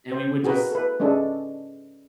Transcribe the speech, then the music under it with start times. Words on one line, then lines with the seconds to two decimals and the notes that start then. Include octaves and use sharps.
and we would just
0.12 C5
0.44 F#4 G#4 A#4 B4
0.71 A4 B4
1.00 G#3 C#4 D4 G#4 A4